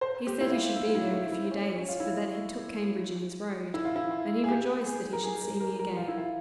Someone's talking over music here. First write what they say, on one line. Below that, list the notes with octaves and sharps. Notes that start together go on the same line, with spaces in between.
He said he should be there in a few days, for that he took Cambridge in his road; and he rejoiced that he should see me again.
C5
G4
E4
F4
E4
F4
E4
E4
E4
C#4
C#4
F4
E4
E4
F4
E4
F4
G#4
G4
G#4
A#4
G#4
A#4
A#4
A#4
F4
E4
F4